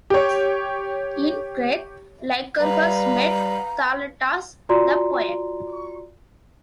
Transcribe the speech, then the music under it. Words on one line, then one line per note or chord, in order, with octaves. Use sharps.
In Crete, Lycurgus met Thaletas the poet.
G4 C#5
G3 B4 F5 A#5
F4 F#4 D5 A#5 C6